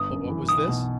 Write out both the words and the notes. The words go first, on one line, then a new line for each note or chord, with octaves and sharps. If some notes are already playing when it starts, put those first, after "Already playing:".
But what was this?
Already playing: G1 D#6
F#2
E3
B1 D#6
B2